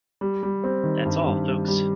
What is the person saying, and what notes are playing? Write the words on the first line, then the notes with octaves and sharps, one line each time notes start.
That's all Folks!
G3
G3
C4
D#3
G2
G2
G3
G3